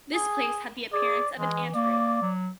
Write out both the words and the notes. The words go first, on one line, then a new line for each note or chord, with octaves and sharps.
This place had the appearance of an ante-room.
G#4
G#4 D5
E3 G#3
A#3 D5
F#3